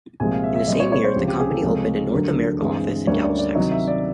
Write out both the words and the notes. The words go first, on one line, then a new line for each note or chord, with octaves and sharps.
In the same year, the company opened a North America office in Dallas, Texas.
C2 A#2 F3 G#3 C4 G#5
F5
E5
E5
A#2 G3 C4 D#5
C#5
C#5
C5
C#2 C3 F3 G4
G4
G#4
A4
C#2 C3 F3 G#3 C#4
D2 D3 F#3 A3 A#4
G2 E3 G#3 C4
D2 D3 G3 A#3 C#4 C#5
D5
D5
C3 D#3 F#3 D#5
E5
D5